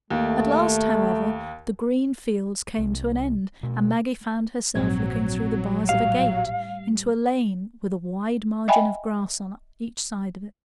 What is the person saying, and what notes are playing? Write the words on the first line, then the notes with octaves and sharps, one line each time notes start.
At last, however, the green fields came to an end, and Maggie found herself looking through the bars of a gate into a lane with a wide margin of grass on each side of it.
D#2 A3
C2
B2 A3
A#1 G#2 F#3 C4 G#6
A2 G3 F5
D#5 E5 G5 G#5 B5